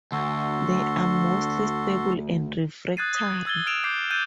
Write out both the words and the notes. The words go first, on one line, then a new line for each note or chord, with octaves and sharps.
They are mostly stable and refractory.
D2 F#4 A4 C6
D#6 F#6 G#6 A6 C7 D#7
D#6
E6 G#6 A6 G7
E6 F6 D7 E7 F7
D6 D#6 G6 C7
E6 F#6 G6 A6 D#7 G7